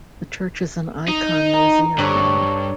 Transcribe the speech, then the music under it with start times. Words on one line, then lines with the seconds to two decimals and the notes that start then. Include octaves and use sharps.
The church is an icon museum now.
1.09 D#4
1.53 A#5
1.98 G2 D4 A4 C#5